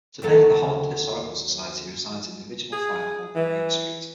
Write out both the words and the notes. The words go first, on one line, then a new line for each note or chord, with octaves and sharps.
Today the Holland Historical Society resides in the original fire hall on Main Street.
D#2 F#3 A4
G#4
E3